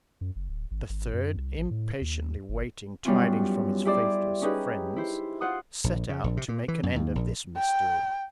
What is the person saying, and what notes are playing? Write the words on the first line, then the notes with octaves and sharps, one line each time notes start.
The third, impatiently waiting tidings from his faithless friends, set out to make an end of this mystery.
F#2
F#1
D1
G#1
G#1
F#2
C2
A1
A2
D#2
G1
F#2 G3 B3 C#4 E4 F4
E4 G4 G#4 C5 D5 E5
C#4 D#4 G4 G#4 B4
E4 C5
F4 C5 F#5 D#6
A#1
C#3
A#1
C3
A#2
E3
F#2
D#2
A#1
G5